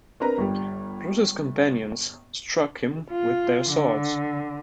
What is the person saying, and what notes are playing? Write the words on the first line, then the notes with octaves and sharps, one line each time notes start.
Bruce's companions struck him with their swords.
C4 D4 A#4 B4 A#5
G1 G3
F4
D3